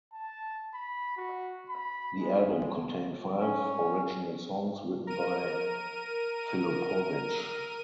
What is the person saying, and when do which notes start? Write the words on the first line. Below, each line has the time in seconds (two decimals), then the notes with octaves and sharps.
The album contained five original songs written by Filipowicz.
0.13 A5
0.74 B5
1.17 F#4
1.69 B5
2.19 G#3
3.41 C#4
5.07 A#4 D#7